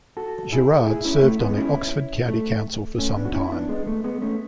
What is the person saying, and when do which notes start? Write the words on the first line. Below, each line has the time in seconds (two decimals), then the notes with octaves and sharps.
Gerard served on the Oxford County Council for some time.
0.17 F#4 A4
0.52 E4 G#4
0.87 E4 G#4
1.05 C#4 E4
1.22 A3
1.40 G#3 B3
1.58 C#4 E4
2.28 A3
2.98 A3 C#4
3.17 B3 D4
3.25 F#4
3.34 C#4 E4
3.52 B3 D4
3.69 G#3 B3
3.87 A3
4.04 G#3 B3
4.22 A3 C#4